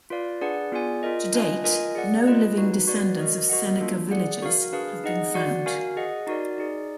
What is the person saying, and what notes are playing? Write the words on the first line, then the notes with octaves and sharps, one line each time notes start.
To date, no living descendants of Seneca Villagers have been found.
F4 B4 D5 F5
D4 G#4 B4 D5 F#5
B3 F4 G#4 D5 G#5
F4 A#4 D#5
D4 F4 B4 D#5 G#5
F4 A#4 D#5 G#5
G#4 D5 F#5
F4 B4 D#5
D#4 F#4 B4
F#4 B4 D5 F#5
F#4 A#4 D#5
F#4 A#4 D#5 F#5
A#3 D4 F4
G#4 D5 F#5
F#4 A#4 F5
D4 G#4 B4 F5
D#4 G#4 D#5 F#5
F#4 D5 F#5
F#4 A#4 F5 G#5
G#4 D#5 F#5
D#4 F#4 A#4 D5
D#4 G#4 D5